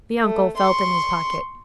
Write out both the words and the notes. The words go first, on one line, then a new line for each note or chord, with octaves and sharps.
The uncle felt in his pocket.
A3
C6 C#6